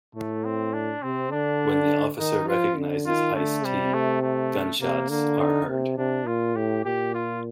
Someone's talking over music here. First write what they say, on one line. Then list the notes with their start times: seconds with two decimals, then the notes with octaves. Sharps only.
When the officer recognizes Ice-T, gunshots are heard.
0.15 A2 A3
0.44 C4
0.73 D4
1.02 C3 C4
1.31 D3 D4
2.19 D#3 D#4
2.48 F3 F4
2.77 D3
3.06 D#3 F4
3.35 D3 A3
3.64 C3 G3
3.94 A3
4.22 A3
4.81 C3 A#3
5.10 D3 A#3
5.39 D#4
5.69 C3
5.98 C3 D4
6.26 A#2 F4
6.55 A2 G4
6.85 A#2 G4
7.14 F4